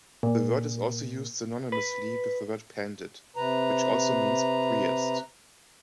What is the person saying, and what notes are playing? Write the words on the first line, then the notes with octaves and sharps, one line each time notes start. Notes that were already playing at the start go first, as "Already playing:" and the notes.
The word is also used synonymously with the word "pandit", which also means "priest".
A#2
B4
C3 B4 A#5